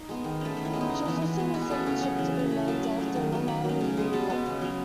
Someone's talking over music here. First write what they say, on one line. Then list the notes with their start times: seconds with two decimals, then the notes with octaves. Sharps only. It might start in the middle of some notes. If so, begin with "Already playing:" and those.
She was also the second ship to be named after Long Island, New York.
Already playing: D#4
0.09 G#3 B3
0.24 D#3
0.41 A3 C#4
0.57 D#3 D#4
0.65 E4
0.73 G#3 B3
0.81 D#4
0.90 C#3
1.05 E3 B3
1.22 E3
1.38 G#3 B3
1.54 B2 F#4
1.62 G#4
1.70 A3 C#4 A4
1.86 C#3 C#5
2.03 F#3 C#4
2.19 E3
2.35 A3 C#4
2.51 C#3 B5
2.68 F#3 A3 A5
2.83 C#3 B5
2.99 F#3 A3
3.16 D#3
3.32 F#3 B3
3.48 D#3 B5
3.65 F#3 C#4
3.81 C#3
3.97 G#3 B3
4.13 B2 A5
4.30 G#3 B3
4.46 C#3
4.62 F#3 C#4